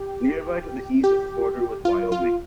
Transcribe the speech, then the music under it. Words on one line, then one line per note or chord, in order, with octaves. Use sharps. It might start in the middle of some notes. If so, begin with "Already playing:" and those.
Nearby to the east is the border with Wyoming.
Already playing: G4
G4
F4
F4